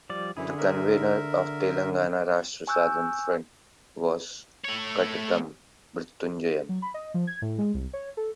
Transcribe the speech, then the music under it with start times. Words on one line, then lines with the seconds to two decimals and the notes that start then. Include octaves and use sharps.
The convenor of Telangana Rashtra Sadhana Front was Katakam Mruthyunjayam.
0.10 F3 G3 D5
0.37 F#2 D3 E3 E4 G#4
0.58 A#4 E5
2.67 G#5 C#6 E6 F#6 G6
4.65 A3 C#5
6.69 F#3
6.82 B5
6.94 D#5
7.14 F3
7.27 G#6
7.42 A2
7.58 G#3
7.74 C2
7.93 C#5
8.17 A4